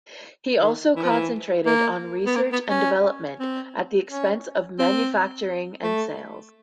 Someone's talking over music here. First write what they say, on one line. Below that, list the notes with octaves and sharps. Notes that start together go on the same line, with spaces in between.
He also concentrated on research and development at the expense of manufacturing and sales.
D#3
E3
F3
E3
A#3
B3
A#3
B3
C#4
C4
C#4
C4
A3